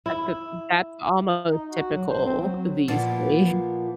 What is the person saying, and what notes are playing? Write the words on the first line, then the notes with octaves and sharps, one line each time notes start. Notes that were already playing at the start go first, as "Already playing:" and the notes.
At the that's almost typical, these days,
E4
D#4
F#4
F#3
C5
C4
F#3
A#2 F3 A#3 B3